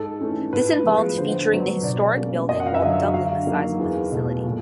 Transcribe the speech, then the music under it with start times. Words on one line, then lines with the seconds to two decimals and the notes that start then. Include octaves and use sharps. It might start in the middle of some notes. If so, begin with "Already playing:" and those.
This involved featuring the historic building while doubling the size of the facility.
Already playing: G#2 A4
0.21 E3 A3 C#4
0.53 A2 B4
0.85 F3 G#3 B3
1.18 D3 C5
1.51 F#3 B3 D4
1.83 B2 D5
2.17 G3 A#3 C#4
2.49 F#2 D#5
2.60 F#5
2.66 F5
2.74 E5
2.82 D3 F#3 D#5
3.14 D3 F5
3.47 F#3 A#3 D#4
3.79 E2
4.12 B2 F#3 A3
4.45 A#2